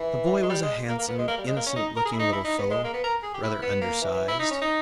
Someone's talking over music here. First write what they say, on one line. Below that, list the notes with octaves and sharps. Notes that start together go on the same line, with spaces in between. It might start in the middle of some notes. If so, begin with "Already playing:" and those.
The boy was a handsome, innocent-looking little fellow, rather undersized.
Already playing: E3
G#3
G3
G#3
A#3
A#3
B3
G#3
A#3
G3
G#3
A#3
C#4
D#4
A#4
G#4
E4
D#4
E4
D#4
B3
G#3
A#3
B3
A#4
G#4
G4
E4
B3
A#3
E3
E3
E4
D#4
C#4
D#4